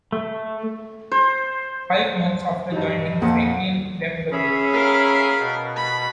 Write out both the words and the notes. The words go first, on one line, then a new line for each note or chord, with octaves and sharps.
Five months after joining, Franklin left the group.
A3
C5
G2 D#4
F2 A#2 F#5
C#4 G#4 E5 B5
A#4 F5
B2
B5